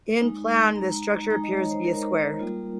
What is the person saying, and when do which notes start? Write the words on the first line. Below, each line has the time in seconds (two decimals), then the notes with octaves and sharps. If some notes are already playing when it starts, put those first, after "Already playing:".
In plan, the structure appears to be a square.
0.21 G#3 D#4
0.76 A#5
1.30 G#3 D#4 A#5
1.44 D#5
1.57 C#5
1.71 C5
1.85 A#4
2.39 G3 A#3 F4